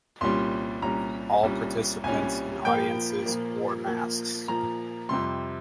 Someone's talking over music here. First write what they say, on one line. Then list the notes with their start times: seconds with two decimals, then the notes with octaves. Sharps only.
All participants and audiences wore masks.
0.21 C2 A#2 G3 C#4 C6
0.82 C2 A#2 G3 C#4 A#5
1.43 C2 A#2 G3 C#4
2.04 C2 A#2 G3 C#4 G#5
2.65 A#2 F3 A#3 G5
3.26 A#2 F3 A#3
3.87 A#2 F3 A#3
4.48 A#2 F3 A#3 A#5
5.09 F2 C3 G3 C6